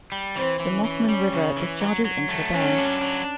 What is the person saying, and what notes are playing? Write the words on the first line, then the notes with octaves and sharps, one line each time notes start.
The Mossman River discharges into the bay.
G3
E3 C4
E3
C#4
E3
G3
C#3
E3
F#3
F#3
A3
F#3 C#4
D4
F#3